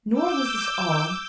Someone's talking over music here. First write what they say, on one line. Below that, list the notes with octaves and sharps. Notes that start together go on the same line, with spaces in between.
Nor was this all.
D6 E6 G6